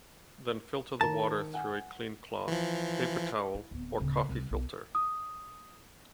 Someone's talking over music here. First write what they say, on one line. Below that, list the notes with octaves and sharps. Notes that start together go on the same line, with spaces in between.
Then filter the water through a clean cloth, paper towel, or coffee filter.
D#3 A#4 A5 A#5
F#5 G#5
E3 F3
E4
D1 B3
D1 C#3
C2
B1
D#6